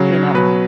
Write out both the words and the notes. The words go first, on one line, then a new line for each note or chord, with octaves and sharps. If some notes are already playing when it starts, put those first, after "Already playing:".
You know?
Already playing: C#3 F#3
B2 F#3 B4